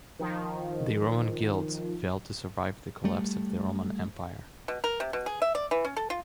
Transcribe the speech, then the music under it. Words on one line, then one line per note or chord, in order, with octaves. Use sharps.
The Roman guilds failed to survive the collapse of the Roman Empire.
D#3 F3
G3 A3
B2
A#4
C3
B2
G#4
E5
D5
E3
C#4
A4
F4